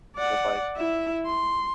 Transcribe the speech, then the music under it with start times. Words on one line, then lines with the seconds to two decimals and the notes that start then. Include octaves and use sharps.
It was like,
0.16 D5 F#5
0.77 E4 E5
1.26 C6